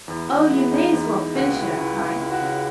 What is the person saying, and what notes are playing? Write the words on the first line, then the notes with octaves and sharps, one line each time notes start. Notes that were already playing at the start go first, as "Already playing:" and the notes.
"Oh, you may as well finish it!" I cried.
E2 E4
E2 F#4
G#3 E4
E2 D#4
E2
E4
G#3
C#2 F#4
C#2 E4
C#2 E4
C#2 E4
C#2
F#4
C#3